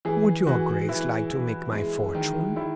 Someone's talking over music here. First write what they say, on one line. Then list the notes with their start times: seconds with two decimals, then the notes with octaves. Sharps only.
"Would your Grace like to make my fortune?".
0.05 E3 G#4
0.47 E3 F#4
0.89 E3 E4
1.31 E3
1.72 G#3
2.15 D#3
2.56 D#3 E4